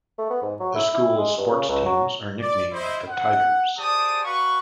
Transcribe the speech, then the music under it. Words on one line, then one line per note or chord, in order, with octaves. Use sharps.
The school's sports teams are nicknamed the Tigers.
A3
B3
G#2
F#3
E4
E4
G#3
G2
C#3
C#2
F#3
D5
E4 C5 D#5
F#5
G4 G#4 C5 D5 A5 D#6
F#4 B4 F5 C#6